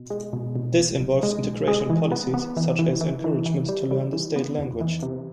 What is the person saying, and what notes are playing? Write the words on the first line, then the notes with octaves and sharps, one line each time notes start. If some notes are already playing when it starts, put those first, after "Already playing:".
This involves integration policies such as encouragement to learn the state language.
Already playing: B2
G#3
B2
B2
B1
B1
G#3
B1
G#3
E3
B3
B3
E3
E3
E3
E3
E3
G3
G3
E3
B3
E2
E3
C3